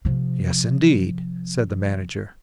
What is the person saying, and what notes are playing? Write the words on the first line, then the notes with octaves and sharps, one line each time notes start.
"Yes, indeed," said the manager.
C3 F3